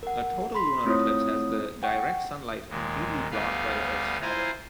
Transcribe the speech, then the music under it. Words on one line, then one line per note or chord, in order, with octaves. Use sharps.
A total lunar eclipse has the direct sunlight completely blocked by the earth's shadow.
A#4 F#5
B5 C6 B6
A3 C4 E4 F4 C#5 D#6
F#5 G5 C#6
D#2 A#2 G#3
D2 G3 B3 B4 F5
E4 F4 C5 G#5 A#5